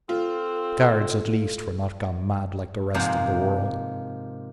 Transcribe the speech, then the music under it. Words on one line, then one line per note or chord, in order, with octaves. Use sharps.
The guards, at least, were not gone mad like the rest of the world.
C4 F4 A4
G#2 C3 F3 G#3 A#3